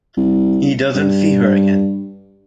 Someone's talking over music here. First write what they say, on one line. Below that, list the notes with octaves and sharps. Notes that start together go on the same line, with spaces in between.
He doesn't see her again.
C2
G2